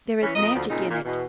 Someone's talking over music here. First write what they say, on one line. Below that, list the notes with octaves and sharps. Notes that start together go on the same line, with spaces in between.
There is magic in it.
E3 C#4
F2 A#4 D#5
D2 F3
A#2 C#3 C4 D#4
A#2 A#3
E2 B2